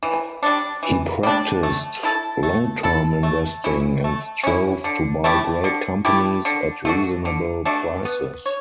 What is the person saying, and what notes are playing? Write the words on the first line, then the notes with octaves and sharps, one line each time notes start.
He practiced long-term investing, and strove to buy great companies at reasonable prices.
E3
G3 D4
E3
G3 D4
A3
E4 A4
A3
E4 A4
A3
C#4 E4
A3
C#4 E4
D3
A3 E4 G4
D3
A3 E4 G4
D3
A3 D4 F#4
D3
A3 D4 F#4
B3
C#5